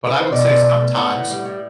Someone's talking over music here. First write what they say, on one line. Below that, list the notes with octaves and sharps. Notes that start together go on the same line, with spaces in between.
but I would say sometimes
B4
C5
B2 D5
B2
A3
A3
B3 F#5
A2
G3
A2